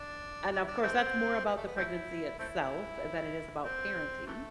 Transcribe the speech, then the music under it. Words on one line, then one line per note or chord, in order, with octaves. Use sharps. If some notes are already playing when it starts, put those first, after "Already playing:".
And of course, that's more about the pregnancy itself than it is about parenting.
Already playing: D4
D4
E4
D4
E3 A3 C4
B3
A3
B3
A3 C4 E4
A3 C4 E4
C4
C3 E3 A3